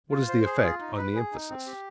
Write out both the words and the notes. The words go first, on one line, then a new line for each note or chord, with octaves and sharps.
What is the effect on the emphasis?
F4
C5
G#4
F4
D#4
B4
G#4
D#4
C4
G4